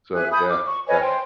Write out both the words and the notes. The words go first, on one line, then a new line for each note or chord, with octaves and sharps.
so yeah, yeah.
E5 G#5 F#6
G#5 B5 D#6 G6
D6
C#6
B4 C#5 D#5 G#5
C5 G5